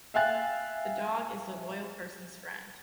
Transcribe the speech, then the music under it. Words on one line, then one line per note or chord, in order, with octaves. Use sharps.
The dog is the loyal person’s friend.
E5 F5 G5 G#5 F#6 A6